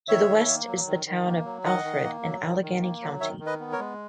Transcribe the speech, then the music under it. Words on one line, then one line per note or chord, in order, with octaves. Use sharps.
To the west is the Town of Alfred in Allegany County.
D#3 C#5 E5
D#3
A#3
F#3
D#3
D#3
A#3
F#3
D#3 D#5 F#5
D#3
A#3
F#3
D#3
D#3
A#3
F#3
D#3 C#5 E5
D#3
B4 D#5
B3
A#4 C#5
G#3